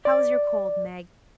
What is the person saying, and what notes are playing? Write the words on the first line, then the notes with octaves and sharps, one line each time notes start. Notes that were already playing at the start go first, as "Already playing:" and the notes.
How is your cold, Meg?
D5